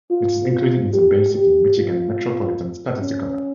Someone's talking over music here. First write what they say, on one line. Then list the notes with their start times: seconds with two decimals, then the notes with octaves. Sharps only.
It is included in the Bay City, Michigan Metropolitan Statistical Area.
0.10 F4
0.51 F4
0.93 G4
1.34 G4
1.77 F4
3.01 C#4